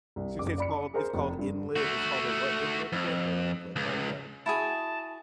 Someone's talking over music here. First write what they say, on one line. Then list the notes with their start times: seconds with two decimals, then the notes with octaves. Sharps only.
So, you say it's called it's called inlet it's called, like, what inlet again? Wait, let me, like, write it down.
0.16 C2
0.39 F#1 D6
0.58 D5 B5 C#7
0.93 G#4 A#4 C5 A#5
1.14 F1
1.38 G2
1.76 A3 F#4
2.93 F2
3.76 C#2
4.46 E4 F#4 G#4 A5